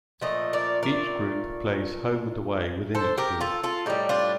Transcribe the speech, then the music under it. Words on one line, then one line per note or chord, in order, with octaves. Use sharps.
Each group plays home-and-away within its group.
A#2 F3 A3 D#5
A#4 D5
A#4 D5
A4 C5
G4 A#4
F4 A4
F4 A4
A2 G3 D#4 G4
D4 F4